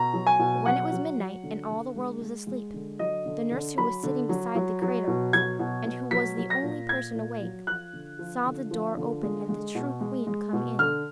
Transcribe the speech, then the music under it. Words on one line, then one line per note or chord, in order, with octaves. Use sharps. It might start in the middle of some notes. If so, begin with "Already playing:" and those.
But when it was midnight, and all the world was asleep, the nurse who was sitting beside the cradle, and who was the only person awake, saw the door open and the true queen come in.
Already playing: B2 A#5
F#3
G#5
B2
F#3 F#5
F#3
F#3
D3
D3
G#3
G#3
G#3
D3
F#3 D#5
D3
D3
F#3 B5
D3
F#3
F#3
F#3
B2
F#3 G#6
B2
B2
F#3 B6
F#3
A#6
A#2
A#2 G#6
A#2
F#3
F3 F#6
D3
F3
D3
F3
D3
G#3
G#3
B2
G#3
G#3
B2
D3 F6